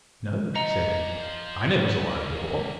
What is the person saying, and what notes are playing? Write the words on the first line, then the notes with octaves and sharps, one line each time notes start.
No, said he, I never saw her before.
D#4 F4 D#5 A#5 C#7
D5 G#5
C5 F5
B3
G#3 A#3